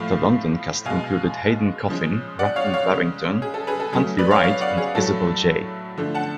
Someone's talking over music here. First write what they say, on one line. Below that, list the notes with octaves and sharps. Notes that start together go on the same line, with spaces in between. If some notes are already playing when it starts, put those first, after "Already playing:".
The London cast included Hayden Coffin, Rutland Barrington, Huntley Wright and Isabel Jay.
Already playing: A2 F3 A3 F5
B2 G#3 F5 G#5
C#3 F3 G#3
D5 F#5
C#5 F5
C#5 F5
C#3 G#3
G#4
A4
G#4 B4
A4
C#3 F#3 A3 G#4
B4 D5
C#5 F5
C#5 F5
D5 F#5
G#4
A2 F#3 A3 A4
D3 F3 A3
F#5 A5